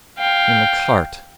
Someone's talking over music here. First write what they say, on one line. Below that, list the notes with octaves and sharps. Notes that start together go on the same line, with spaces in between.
In the cart.
F5 G5